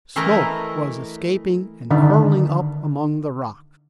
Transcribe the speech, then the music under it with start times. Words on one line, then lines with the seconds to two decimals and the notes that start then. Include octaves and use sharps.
Smoke was escaping and curling up among the rocks.
0.16 E3 A3 E4 A#4 D#5 A#5
1.91 D3 D#3 D4 D#4